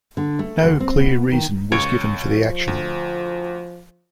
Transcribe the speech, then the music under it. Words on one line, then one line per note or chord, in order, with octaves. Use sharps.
No clear reason was given for the action.
D3
A3
D2
C4
B2
D#3
C#2 C#5 D7
F3
D2